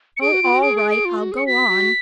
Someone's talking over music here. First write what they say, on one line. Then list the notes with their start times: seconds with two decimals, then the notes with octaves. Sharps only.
Oh, all right; I'll go on.
0.17 C#7
0.21 G#4 D7
0.32 F#4
0.43 F4
0.52 F#4
0.62 G#4 D7
0.77 D7
0.91 D7
1.05 F4
1.18 F#4
1.32 G#4
1.37 C#7
1.47 F#4 B6
1.68 F#4